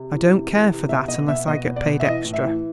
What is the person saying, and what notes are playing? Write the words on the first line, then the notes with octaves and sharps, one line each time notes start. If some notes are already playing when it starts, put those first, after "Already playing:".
I don't care for that, unless I get paid extra.
Already playing: C3
E3
C3
E3
C3
B2 E5
B2 D#5
B2 E5
B2 D#5
B2
D5
B2
E5
E3 D#5
A2
E5
E3